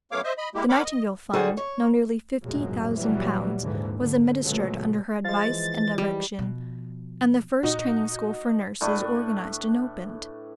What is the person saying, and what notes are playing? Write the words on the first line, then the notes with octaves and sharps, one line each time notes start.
The Nightingale fund, now nearly fifty thousand pounds, was administered under her advice and direction, and the first Training School for Nurses organized and opened.
F#2 A3 B3 C#5 F5 D6
C5 D#5 E5
D#5 B5
G#3 A#3 E4 G4
A#4 C#5 F#5 B5 D6
D#5
D2 D3 G3 F#4 G#4 C5
C#5
F1 A#1 F#2 A2 F#3 G#3
A#2 E3 F#3 G3
D#2 G#2 D3 E3
D3
A#2 C#3 F#3 G#3 A3 B3
F3 G#3 F5 A6
E3
G3
B2 F3
A#2 D#4 F#4
A2 D4 B4 C#6